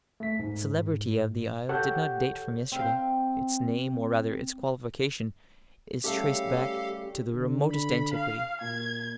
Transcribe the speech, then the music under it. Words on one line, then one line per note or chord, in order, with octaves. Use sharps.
The celebrity of the isle did not date from yesterday; its name, or rather its qualification, is traced back to the remotest antiquity.
A3 B6
G#2
G4 A4 C#5 F#5 G6
C4 F5
C#3 G3 A3 G4 A4 F5
D3
B5
F5
A#2 G#6